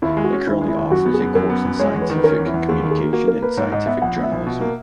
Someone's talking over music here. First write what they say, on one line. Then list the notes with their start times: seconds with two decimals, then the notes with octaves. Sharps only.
It currently offers a course in Scientific Communication and Scientific journalism.
0.02 D#2 E4
0.17 G#3
0.24 F#4
0.32 C#4
0.47 D#2 E4
0.61 G#3
0.68 E4
0.76 D#2
0.90 F#2 F#4
1.06 B3
1.14 G#4
1.21 F#2
1.35 F#2 A#4
1.50 B3
1.65 F#2
1.79 G#3 C#5
1.95 E2
2.02 B4
2.10 D#3
2.18 B4
2.24 C#4 A#4
2.39 E2
2.46 E4
2.54 E2
2.68 D#2 G#4
2.83 D#3
2.91 G#4
2.99 A#3
3.13 A#3 F#4
3.28 A#3 A#4
3.42 A#3 B4
3.57 G#2 C#5
3.72 G#2 D#5
3.87 B3 E5
4.02 A#1 F#5
4.17 B3
4.23 E5
4.31 A#1
4.47 B2
4.61 A#3